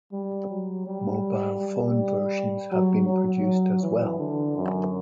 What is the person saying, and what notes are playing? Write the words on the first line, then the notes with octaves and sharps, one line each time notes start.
Mobile Phone versions have been produced as well.
G3
F#3
G3
G3
F#3
F#3
F#3
E3
D3
F#2